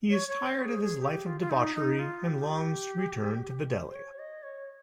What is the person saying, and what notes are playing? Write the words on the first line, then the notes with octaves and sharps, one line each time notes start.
He is tired of his life of debauchery and longs to return to Fidelia.
C#5
C#5
C5
G#4
G#4
G4
F4
F4
D#4
D#4
F4
G4
C5
C#5
D#5
C#5